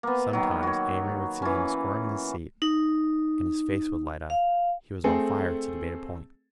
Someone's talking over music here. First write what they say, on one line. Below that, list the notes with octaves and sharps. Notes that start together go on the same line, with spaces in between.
Sometimes Amory would see him squirm in his seat; and his face would light up; he was on fire to debate a point.
A#3 B3
D#3 F#3
F#4 C#5
E3 C#4
D#4
F5
A3 C4 G#4 A4